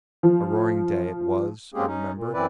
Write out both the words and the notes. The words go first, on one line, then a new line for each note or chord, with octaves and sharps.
A roaring day it was, I remember....
F3
G#3 A#3 C4 C#4 G4 G#4
C#4 D#4
A#2
F#2 E3 C4 E4 B4 D5